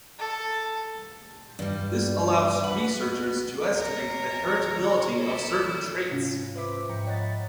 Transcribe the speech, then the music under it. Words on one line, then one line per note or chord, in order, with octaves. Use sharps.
This allows researchers to estimate the heritability of certain traits.
A4
G2 G3
B4 F#5
A#4 C#5
E4 A4
G#2 C3 C#4 F4
B4 C5 E5 D6 B6
G#2 F3 G5 A#5 C#7
C#5 D#5 F#5 B5 A6